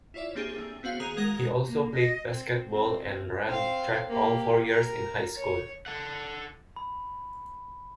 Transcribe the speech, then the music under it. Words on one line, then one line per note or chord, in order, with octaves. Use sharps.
He also played basketball and ran track all four years in high school.
E4 F4 C#5 D5 E5
A#3 C4 D4 G4 G#4
A3
B3 C4 F#4 F5
D#3 G#4 A#5 F#6 F7
G#3 A#4 F#5 D#6 G#6 A#6
A#3
D#5
C4
C4
C4 F5
A#3 G4
A#4
C#5
A4 F#5
B5